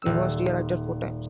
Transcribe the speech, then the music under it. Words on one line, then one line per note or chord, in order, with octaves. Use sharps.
He was re-elected four times.
D#1 E6